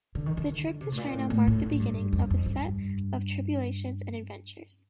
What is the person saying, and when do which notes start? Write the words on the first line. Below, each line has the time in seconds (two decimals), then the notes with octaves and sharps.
The trip to China marked the beginning of a set of tribulations and adventures.
0.15 D3
0.26 D#3
0.37 D3
0.81 C3
0.92 A2
0.97 A#2
1.14 A2
1.30 A2
1.47 A2
1.80 G2
2.13 F2
2.30 F2
2.46 G2